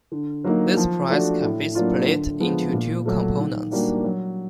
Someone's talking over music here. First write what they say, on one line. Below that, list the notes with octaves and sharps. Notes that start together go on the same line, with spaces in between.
This price can be split into two components.
D3
F#3 A#3 D#4
F3
A3 D4 F#4
A2
F#3 A#3 D4 F4
D3
F3 G#3 B3
A#2
F#3 A3
D#3
G3 A#3 D4 F#4
F#3